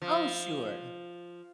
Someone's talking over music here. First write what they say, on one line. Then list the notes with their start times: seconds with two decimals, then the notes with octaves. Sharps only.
Oh, sure.
0.02 F3